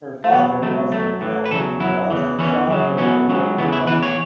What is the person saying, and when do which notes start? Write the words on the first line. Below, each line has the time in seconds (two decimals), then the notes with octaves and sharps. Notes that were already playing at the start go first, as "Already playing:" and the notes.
Her father was an accountant who lost his job during the Great Depression.
0.24 A3
0.32 E2 B2 F#3 B3
0.62 C#2 B2 F#3 A3
0.91 F#2 F#3 A3
1.21 A2 E3
1.45 B4
1.51 E2 C#3 F#3 A4
1.80 F#2 F#3 E4
2.10 E2 C#3 E3
2.39 E2 E3 C#4
2.69 F#2 C#3 F#3
2.98 E2 B2 F#3 C#4
3.28 C#2 C#3 F#3
3.58 E2 C#3 E3 B3
3.72 E4
3.87 E2 E3 B4
4.03 C#5